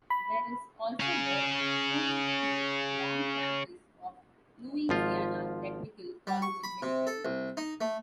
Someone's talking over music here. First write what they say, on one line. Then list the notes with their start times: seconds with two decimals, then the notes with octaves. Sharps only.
There is also the Huey P. Long Campus of Louisiana Technical College in Winnfield.
0.10 B5
1.00 C#4 G#4
4.89 G#1 F3 F4
6.27 G3
6.42 C#6
6.64 B5
6.82 C3
7.07 A4
7.25 C2
7.57 D#4
7.81 A3